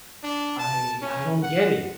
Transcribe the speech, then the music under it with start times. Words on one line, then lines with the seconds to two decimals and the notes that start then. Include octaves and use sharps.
I I don't get it.
0.23 D4
0.59 A5
1.02 C#4
1.43 F#5